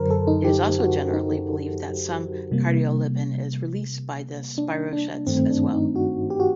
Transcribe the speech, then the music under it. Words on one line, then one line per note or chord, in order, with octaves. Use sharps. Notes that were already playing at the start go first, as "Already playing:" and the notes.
It also generally believed that some cardiolipin is released by the spirochetes as well.
Already playing: F#2 D3 F#3 A#4 C5
A4
D#4
G4
F#4
D#4
C3 G3 A#3
D4
D4
G2 D#3 A3 C4
D4
D#4
F#4
G4
F#4